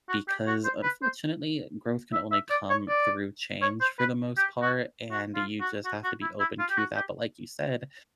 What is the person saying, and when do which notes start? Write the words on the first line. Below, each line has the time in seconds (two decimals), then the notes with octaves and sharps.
because, unfortunately, growth can only come through change, for the most part, and th you just have to be open to that, but like you said,
0.09 F#4
0.28 G4
0.47 F#4
0.65 C5
0.83 B4
1.02 C5
2.13 E5
2.32 E5
2.50 D5
2.70 C#5
2.89 D5
3.62 C#5
3.81 C5
3.99 B4
4.37 G4
4.62 F#4
5.11 F#4
5.35 F4
5.60 F#4
5.85 F#4
6.04 F#4
6.22 E4
6.40 E4
6.59 F4
6.70 G4
6.78 F#4
6.96 G4